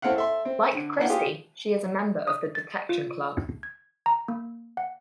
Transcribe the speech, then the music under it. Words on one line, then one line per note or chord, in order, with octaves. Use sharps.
Like Christie, she is a member of the Detection Club.
A3 C4 E4 F5 F#5
A4 E5 C6
C4
D3
A#3 B3 D4 E4 F#5 G5
F4 G4 G#4
D#6
A6
F4
G#6
A#5
A#3
F#5